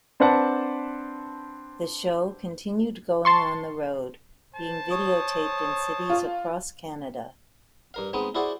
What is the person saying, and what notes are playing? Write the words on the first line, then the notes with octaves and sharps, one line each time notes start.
The show continued going on the road, being videotaped in cities across Canada.
C4 D4 B4 C5 F#5 A5
A5 C6 C#6
C5 A5
C#5 D#6
F4
G2 A#4 F5
G#3 B3 C4 D#4
E4 F#4 G#4 C5 D5 F#5